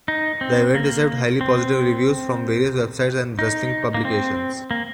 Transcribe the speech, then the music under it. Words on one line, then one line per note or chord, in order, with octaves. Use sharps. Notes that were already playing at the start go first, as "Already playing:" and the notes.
The event received highly positive reviews from various websites and wrestling publications.
D#4
C4
A#3
C4
D#4
A#3
C4
A#3